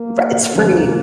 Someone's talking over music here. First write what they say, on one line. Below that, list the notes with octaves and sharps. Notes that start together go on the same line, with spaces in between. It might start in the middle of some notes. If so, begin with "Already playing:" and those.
Right, it's free.
Already playing: A#3
D3 F3 A#3 C#4